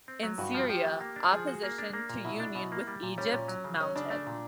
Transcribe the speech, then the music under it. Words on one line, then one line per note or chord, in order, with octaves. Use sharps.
In Syria, opposition to union with Egypt mounted.
C4
F#3
G2 F#4
F3
F3 G4
A3
A#3
D4
F3 G#4
F#4
A#3
D4
A#3
A#2
B2 E4
D4
B2
A#3
G3
A#2
G3 C#4
A#2
F#3
C#3
F#3 C#4
C#3 D4
A3 D4
A#2